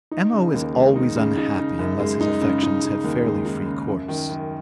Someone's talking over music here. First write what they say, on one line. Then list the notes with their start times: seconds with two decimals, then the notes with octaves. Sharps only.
M.O. is always unhappy unless his affections have fairly free course.
0.11 D#4
0.32 C#3
0.54 D#2
0.74 G#3
0.96 D#4
1.16 C#3
1.37 D#4
1.58 C#3
1.79 F#2
2.00 G#3
2.21 D#4
2.41 C#3
2.63 D#4
2.83 C#3
3.04 D#2
3.25 G#3
3.46 D#4
3.66 C#3
3.88 F#2
4.08 D#3
4.29 F#2